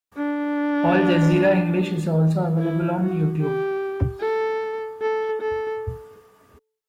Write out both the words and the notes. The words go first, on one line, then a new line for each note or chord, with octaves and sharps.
Al Jazeera English is also available on YouTube.
D4
E4
F#4
G4
A4
A4
A4